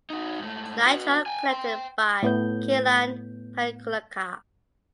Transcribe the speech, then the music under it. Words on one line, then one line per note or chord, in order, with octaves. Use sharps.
Nitra connected by Kilian Pagliuca.
D#4 F#4
G#2 A3
F#4 B4
G5 G#5
G5 C6
A2 B3 G6